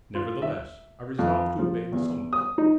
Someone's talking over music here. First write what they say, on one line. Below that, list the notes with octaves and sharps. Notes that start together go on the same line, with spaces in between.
Nevertheless, I resolved to obey the summons.
F4
E5
F2
F3
E2
D#6
D#4